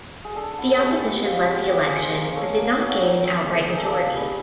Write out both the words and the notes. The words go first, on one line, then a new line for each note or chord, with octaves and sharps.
The opposition led the election, but did not gain an outright majority.
G#4
D4 A4
A4
B3
A4
G3
G#4
E4 G4
C4 F4
G#3 F#4
A#3 G4
G#4
D#4
C5
A#3
A#4
C#4 A4
A#3
F#3
D#4
C4
G#3
D#4 G#4
A4
G#4
A#3
G3